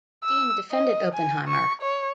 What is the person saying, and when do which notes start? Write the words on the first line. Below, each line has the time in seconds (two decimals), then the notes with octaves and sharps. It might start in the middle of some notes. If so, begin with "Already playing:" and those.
Dean defended Oppenheimer.
0.24 E6
0.72 D#5
1.14 G#5
1.48 C#6
1.82 C#5